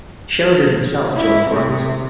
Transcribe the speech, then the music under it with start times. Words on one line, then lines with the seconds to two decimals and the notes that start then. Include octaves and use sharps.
Sheridan himself joined Grant.
1.16 E4
1.49 C3